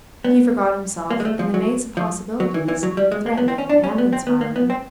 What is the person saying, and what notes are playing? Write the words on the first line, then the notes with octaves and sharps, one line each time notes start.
He forgot himself in the maze of possibilities threatening and inspiring.
B3
A#3
G#3
A3
F3
F#3
F3
F#3
E3
E3
F#3
G3
G#3
A#3
B3
C4
C#4
D4
C#4
B3
C4
B3
A#3
B3
C4